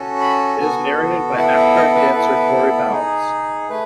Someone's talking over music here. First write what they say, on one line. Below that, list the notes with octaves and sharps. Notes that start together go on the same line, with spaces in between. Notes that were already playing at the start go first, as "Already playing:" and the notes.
It is narrated by actor and dancer Cory Bowles.
Already playing: C#4 F#4 A4
B5
B3 F#4 A4 G#5
B3 E4 A4 F#5
E5
D#5
B4
B3 E4 A4
D#4 G#4
A3 B4